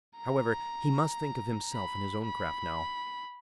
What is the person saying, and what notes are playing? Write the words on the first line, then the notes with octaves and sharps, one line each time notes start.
However, he must think of himself and his own craft now.
A#5
B5
B5